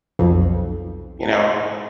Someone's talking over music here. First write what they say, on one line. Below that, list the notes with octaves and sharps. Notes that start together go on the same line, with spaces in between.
you know?
B1 F2